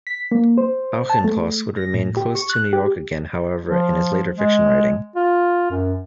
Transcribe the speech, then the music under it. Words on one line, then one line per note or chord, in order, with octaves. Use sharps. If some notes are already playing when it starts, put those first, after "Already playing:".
Auchincloss would remain close to New York again, however, in his later fiction writing.
B6
A#3
C5
A5
A3
A#6
A2
G4
C#6
F#6
G4
F3
G#3
F4
F#2